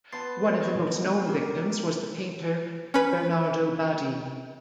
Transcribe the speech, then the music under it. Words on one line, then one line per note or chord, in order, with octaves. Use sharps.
One of the most known victims was the painter Bernardo Daddi.
B3 A5 C6 A6 C7
C#5 D#5 C#6
G4 A#4
C#4 B4